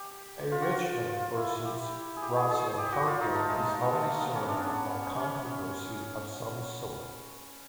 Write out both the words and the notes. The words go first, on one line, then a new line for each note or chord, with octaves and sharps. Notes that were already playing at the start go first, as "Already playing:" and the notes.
A Richmond versus Rosslyn Park game is always surrounded by controversy of some sort.
Already playing: G4
F4
F#4
F4
F4
E4
G4
G#4
G4
G#4
G#4
G4
F#4
F4
D#4
A3
G#3
A3
A#3
B3
C#4
D4
C#4
C#4
C#4